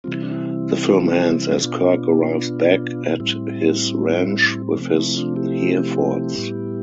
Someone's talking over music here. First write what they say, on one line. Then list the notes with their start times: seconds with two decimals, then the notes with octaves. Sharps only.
The film ends as Kirk arrives back at his ranch with his Herefords.
0.04 C3 E3 G3 C4 F4
0.13 E4
0.23 D4
0.31 E4
1.62 B2 B3 D4 F4
3.20 A2 G3 C4 E4
4.77 C3 F3 A3 C4
4.97 E4
5.17 D4 F4
5.36 E4 G4
6.35 A2 G3 B3